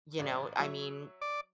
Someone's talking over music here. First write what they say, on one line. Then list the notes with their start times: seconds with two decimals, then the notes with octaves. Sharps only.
You know, I mean,
0.19 A1 D5
0.59 F#3 C#5 E5
1.22 D5